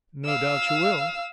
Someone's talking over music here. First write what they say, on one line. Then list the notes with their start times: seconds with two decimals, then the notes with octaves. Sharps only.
"No doubt you will!"
0.25 F5 E6